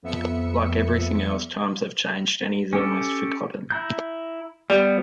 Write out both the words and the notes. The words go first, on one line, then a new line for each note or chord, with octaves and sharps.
Like everything else, times have changed and he is almost forgotten.
F2 B3 E5 C#7
C#4 G4 A4
E4 A#5 G6
G3 B3